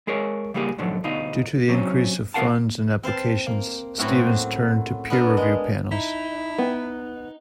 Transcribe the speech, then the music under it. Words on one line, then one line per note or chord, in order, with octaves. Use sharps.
Due to the increase of funds and applications Stevens turned to peer review panels.
G#3 G#4 A#4 C#5
C#3 G3 A#3 G4 G#4
G#2 B2 D3 F3 F#3
D2 B2 D#4 F4
C3 F#3 C4 C#4
C#2 C3 A#4 F5 F#5 A5
C4 C5 F5 A5
A#3
F#2 A2 F#3 C4 F#4 A#4
B3 D4 A#4 B4
G#3
D#4 E4
B3